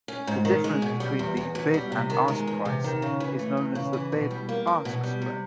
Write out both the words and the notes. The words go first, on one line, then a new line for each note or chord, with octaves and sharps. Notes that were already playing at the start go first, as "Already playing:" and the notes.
The difference between the bid and ask price is known as the bid-ask spread.
C#4
G#2
D#3
G#3
B2
G3
E2
E2
B2
G3
C3
D#3
G#3
E2
C3
D#3
C#3
E3
A3
E2
C#3
E3
B2
G3
A#3
E2
B2
G3
C3